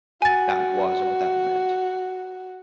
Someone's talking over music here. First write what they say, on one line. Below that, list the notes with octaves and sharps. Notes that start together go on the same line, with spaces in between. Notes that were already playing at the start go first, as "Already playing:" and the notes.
that was or what that meant,
F#4 G#5 A6